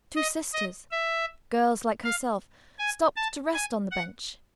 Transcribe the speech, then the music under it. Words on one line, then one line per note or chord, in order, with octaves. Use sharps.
Two sisters, girls like herself, stopped to rest on the bench.
D#5
D#5
E5
F5
G#5
A5
G#5
F#5